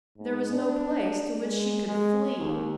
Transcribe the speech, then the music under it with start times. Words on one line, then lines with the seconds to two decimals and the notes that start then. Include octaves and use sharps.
There was no place to which she could flee.
0.18 G#2
0.52 D4
1.41 G#3
1.87 G#3
2.39 D#2